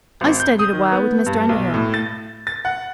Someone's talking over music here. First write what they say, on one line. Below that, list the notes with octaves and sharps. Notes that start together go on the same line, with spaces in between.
I studied awhile with Mr. Underhill.
G#1
G6
D#6
D#3
B3
G2
B1
A2
A6
A6
F#5